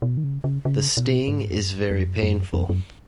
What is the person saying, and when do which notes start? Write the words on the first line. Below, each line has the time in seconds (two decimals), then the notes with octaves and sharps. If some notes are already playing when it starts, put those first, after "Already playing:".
The sting is very painful.
0.02 B2
0.17 D#3
0.24 C#3
0.44 C#3
0.65 C#3
0.97 B2
1.28 G#2
1.49 F2
1.59 F#2
1.91 F#2
1.99 F2
2.07 F#2
2.23 F#2
2.54 F2
2.69 F#2